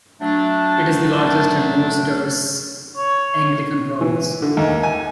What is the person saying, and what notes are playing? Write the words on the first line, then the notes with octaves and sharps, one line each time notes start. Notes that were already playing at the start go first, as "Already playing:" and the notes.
It is the largest and the most diverse Anglican province.
F#3 A3 D4
C#5
E3
D3
D#2
G#5